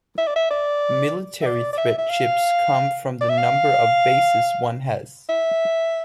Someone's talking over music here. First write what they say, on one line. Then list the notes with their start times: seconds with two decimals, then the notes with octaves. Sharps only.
Military Threat chips come from the number of Bases one has.
0.18 E5
0.27 D5
0.36 E5
0.50 D5
1.42 E5
1.46 D5
1.73 D5
1.78 E5
1.98 E5
2.10 F5
3.21 D5
3.30 E5
3.38 F5
5.29 E5